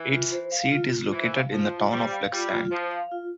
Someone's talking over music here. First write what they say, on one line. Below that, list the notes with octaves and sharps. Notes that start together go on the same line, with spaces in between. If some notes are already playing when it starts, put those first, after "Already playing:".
Its seat is located in the town of Leksand.
Already playing: E3
F4
C5
F5
F4
F4
E3 C5
F5
F3 F4
F4
G3 C5
F5
G3 F4
F4
F3 C5
F5
F4